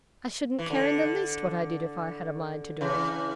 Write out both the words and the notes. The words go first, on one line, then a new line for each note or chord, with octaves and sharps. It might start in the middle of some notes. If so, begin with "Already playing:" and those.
'I shouldn't care in the least what I did if I had a mind to do it.'
E3
D3
C#3 E3